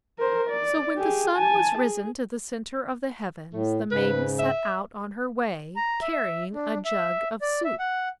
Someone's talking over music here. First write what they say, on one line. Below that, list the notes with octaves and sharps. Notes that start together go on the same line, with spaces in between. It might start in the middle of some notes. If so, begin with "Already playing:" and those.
So when the sun was risen to the center of the heavens, the Maiden set out on her way, carrying a jug of soup.
A#4 C5
D5
G4 G#4
G#5 A5
G#4
A2 A3
G#2 C#3 B4
E5
A#5
E5
D4
E5
D5
E5
F#5